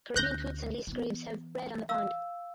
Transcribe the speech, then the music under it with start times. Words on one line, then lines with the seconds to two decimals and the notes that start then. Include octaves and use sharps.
Caribbean coots and least grebes have bred on the pond.
0.16 D2 C#4 F#6 G6 A#6
0.87 E3 B3
1.89 F5 E6